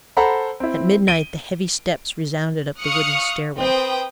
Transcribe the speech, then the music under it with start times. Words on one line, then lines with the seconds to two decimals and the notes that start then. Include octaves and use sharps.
At midnight the heavy steps resounded up the wooden stairway.
0.17 A4 C5 F#5 A#5 B5
0.60 C4 E4
1.08 D7 D#7 G7
2.79 F5 C#6 D#6 F6 F#6 C#7
3.58 C4 B4 G5 D#6